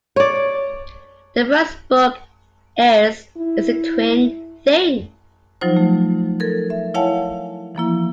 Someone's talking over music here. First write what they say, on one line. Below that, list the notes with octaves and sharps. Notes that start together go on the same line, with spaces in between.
The first book is "It's a Twin Thing".
C#5 D5
E4
F3 F#3 D#4 F4 C5
A3
A4 A#4 G#6
E5
E4 C#5 F5 F#5 G#5 A5
E3 F3 A#3 E4